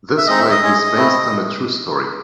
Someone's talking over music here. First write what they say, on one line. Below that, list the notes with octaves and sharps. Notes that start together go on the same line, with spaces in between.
This play is based on a true story.
E5
G#3 C4 D#4 D#5
E5
D#5
G#3 C#4 G#4
A3 C4 E4